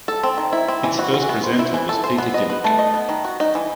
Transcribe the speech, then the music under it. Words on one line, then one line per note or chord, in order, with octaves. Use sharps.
Its first presenter was Peter Dimmock.
A4
C4
D#3
E4
C4
E3
F#4
F#4
B3
C5
E4
E3
A4
C5
B3
D#5
B4
A3
D#5
B3
D#3
F#4
D#4
E3